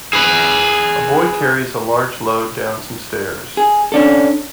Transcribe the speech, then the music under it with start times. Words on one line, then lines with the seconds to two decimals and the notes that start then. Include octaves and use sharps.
A boy carries a large load down some stairs.
0.13 G#4 B4
3.57 G#4
3.92 C#4 D4 A4